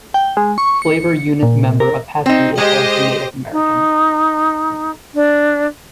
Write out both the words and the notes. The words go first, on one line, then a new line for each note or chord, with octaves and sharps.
Flavor Unit member Apache is also Native American.
G5
G#3
C#6
C#7
A#2
A#4
C4 D#4
G#3 G4 C5 D#5
D#4
D4